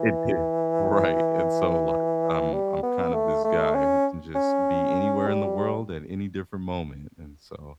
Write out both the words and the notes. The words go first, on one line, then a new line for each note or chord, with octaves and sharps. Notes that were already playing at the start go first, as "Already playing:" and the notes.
It did. Right. And so, like, I'm I'm kind of this guy who can just be anywhere in the world at any different moment and so,
Already playing: E3
G3
B3
A3
A3
C#4
C#4
G3